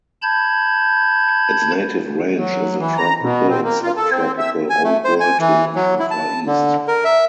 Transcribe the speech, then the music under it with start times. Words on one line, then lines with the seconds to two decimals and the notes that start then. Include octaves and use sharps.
Its native range is the tropical and subtropical Old World to Russian Far East.
0.22 A5 B5 G6 G#6
2.38 F#3
2.79 E3
2.97 A#5
3.22 B2
3.49 C4
3.64 A#3
3.83 F4
3.97 A4
4.11 C4
4.38 E5
4.70 G#5
4.84 A3
5.04 C5
5.20 G#5
5.39 E3
5.75 F#3
5.99 E4
6.11 A5
6.46 D3
6.88 A#4
7.05 E5